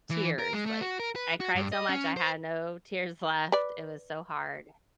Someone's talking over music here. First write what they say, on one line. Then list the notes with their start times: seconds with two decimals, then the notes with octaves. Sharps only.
tears, like, I cried so much, I had no tears left, it was so hard.
0.11 E3
0.39 A#4
0.53 G#3
0.66 A3
0.81 F#4
1.00 A#4
1.16 B4
1.40 F#4
1.56 G2
1.72 D#5
1.89 C#4
2.17 C5
3.52 B4 D5